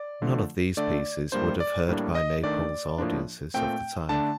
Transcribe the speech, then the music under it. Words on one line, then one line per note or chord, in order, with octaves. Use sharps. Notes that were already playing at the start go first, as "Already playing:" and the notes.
None of these pieces would have heard by Naples' audiences of the time.
Already playing: D5
D3 F3 A3
D3 A3 D4 D5
A2 G3 A#3 D4 C5
D5
A2 G3 A#3 D4
D#5
D#3 A3 D4 D5
A2 F3 A#3 D4
A#2 A3 C4 G5
D3 A3 D4 A5